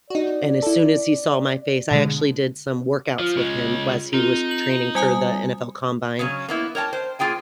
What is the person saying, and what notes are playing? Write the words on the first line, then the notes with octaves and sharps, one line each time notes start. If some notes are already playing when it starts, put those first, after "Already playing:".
and as soon as he saw my face I actually did some workouts with him whilst he was training for the NFL Combine,
D#4 F#4 D5
E4 A4
B2 D3 G#3
F3 F4
C#3 G#3
C4 D#4 F4 A4
F#7
G3 G#5 D#6
C#3 F#3 C#4
A#3 B3 E4
A#4 C#5 G5 A5
C5
A#3 F4 G#4 G5 G#5